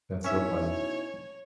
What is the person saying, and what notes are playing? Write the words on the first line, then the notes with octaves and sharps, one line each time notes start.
That's so funny.
B2 C#4 D#4 E4 C#5 E5